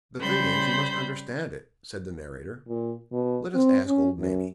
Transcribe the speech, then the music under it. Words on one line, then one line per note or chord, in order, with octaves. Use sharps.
"The thing is, you must understand it," said the narrator; "let us ask old Nanny."
C#3 G3 C5 B5 G6
A#2
B2
C4
C#4
F#2